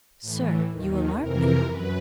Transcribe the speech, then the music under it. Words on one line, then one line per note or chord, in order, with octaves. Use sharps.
"Sir, you alarm me."
A2 E3
D#2 D#3
F2 C3 E3 A#4
F#2 B4